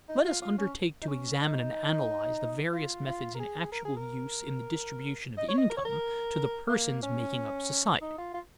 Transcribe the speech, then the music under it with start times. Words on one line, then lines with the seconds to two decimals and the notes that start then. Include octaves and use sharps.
Let us undertake to examine and analyze the various methods in actual use in the distribution of income to the persons making up society.
0.09 D#4
0.25 F4
0.42 F4
0.58 C#4
1.02 D#4
1.07 C#4
1.41 D#4
2.73 F4
3.07 F4
3.34 A#4
3.39 G#4
3.72 A#4
3.85 G#4
3.97 A#4
5.38 D#5
5.48 C#5
5.58 D#5
5.70 A#4
5.77 C#5
5.85 A#4
6.69 A#3
7.02 C#4
8.01 D#4
8.18 F4
8.34 F4